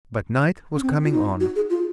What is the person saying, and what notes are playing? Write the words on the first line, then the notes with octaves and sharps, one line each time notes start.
But night was coming on.
C#4
C4
F4
D#4
F#4
G#4
F4